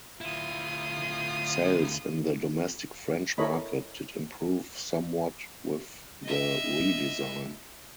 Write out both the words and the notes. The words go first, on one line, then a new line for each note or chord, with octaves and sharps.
Sales in the domestic French market did improve somewhat with the redesign.
D2 E4 F4 D#6
E4 A4 A#4 C#5 D#5 B5
D#5 E5